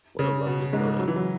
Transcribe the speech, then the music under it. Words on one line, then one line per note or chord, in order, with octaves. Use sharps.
What a lovely photo.
C#3
B2
G#2 G#3
F#3
E3
F#3